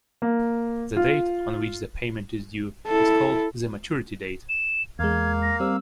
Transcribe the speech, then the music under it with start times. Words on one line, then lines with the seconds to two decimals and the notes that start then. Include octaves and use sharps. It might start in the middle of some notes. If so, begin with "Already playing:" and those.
The date on which the payment is due is called the maturity date.
0.22 A#3
0.96 F4
2.87 E4 A4
4.49 E7
4.99 E2 G#3 A#3 F5 G#6
5.42 A#6
5.60 G3 C4 E6